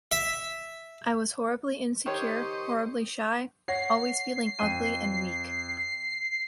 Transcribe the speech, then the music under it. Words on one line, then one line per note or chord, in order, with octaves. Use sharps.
I was horribly insecure, horribly shy, always feeling ugly and weak.
E5
D#3 G4 C5 C#5 D#5 C#6
C#5 F#5 A#6 C7
F2 D#7